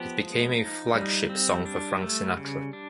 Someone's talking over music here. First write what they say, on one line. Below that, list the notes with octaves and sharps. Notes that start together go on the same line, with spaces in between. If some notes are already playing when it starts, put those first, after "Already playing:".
It became a flagship song for Frank Sinatra.
Already playing: F3 B3 G4
G#3
D#4
G3 D#4
C4
D4
A3
C#3
D4